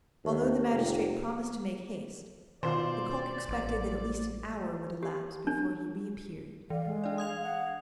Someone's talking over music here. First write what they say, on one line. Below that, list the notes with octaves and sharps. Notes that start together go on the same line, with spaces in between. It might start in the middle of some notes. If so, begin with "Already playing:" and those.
Although the magistrate promised to make haste, Lecoq expected that at least an hour would elapse before he reappeared.
D#2
F1
B2 D#3 F4 C5 D5
A1
G4
D4
E3 D5 F5
G#3
D4 D5
D#6 G#6 F7
F5 F#5